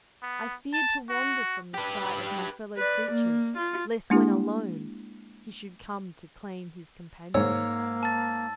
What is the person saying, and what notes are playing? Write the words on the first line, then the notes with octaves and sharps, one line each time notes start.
I feared to wander from the sight of my fellow creatures lest when alone he should come to claim his companion.
B3
A5
F#4
G4 B4
B4 D5
A#3
F4
G#3 A#3 D4 E4 G4
G#2 G#3 A#3 C#5 E6
A5 A6